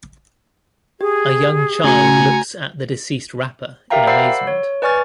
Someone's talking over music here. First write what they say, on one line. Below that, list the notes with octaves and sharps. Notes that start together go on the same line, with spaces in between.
A young child looks at the deceased rapper in amazement.
G4 G#4
C#3 A3 F#4 G#5 A#5 C#7
G4 A#4 E5 F5 G5 A#5
C5 D5 F#5 B5 E6 C7
C#5
B4 D5 G#5 C#6 F6 A6